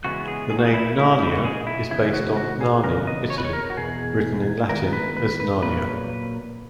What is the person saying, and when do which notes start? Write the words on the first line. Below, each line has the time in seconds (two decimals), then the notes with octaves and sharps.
The name "Narnia" is based on Narni, Italy, written in Latin as "Narnia".
0.05 C#3 E3 G#3 B3 F#4
0.28 G#4
0.50 G#4
0.59 F#4
0.66 G#4
0.74 E4
0.98 A#2 G#3 D#4 E4
1.20 E4
1.32 F#4
1.44 G#4
1.67 E4
1.91 C#3 E3 B3 D#4 E4
2.06 G#4
2.13 F#4
2.37 F#4
2.61 G#4
2.83 C#3 E3 B3 A#4
3.07 D#5
3.30 C#5
3.38 B4
3.45 C#5
3.53 A#4
3.70 F#4
3.77 E2 B2 G#4
4.69 D#3 G#3 B3 E4 A#4
4.93 B4
5.17 B4
5.40 B4
5.62 A#2 F#3 A#3 B4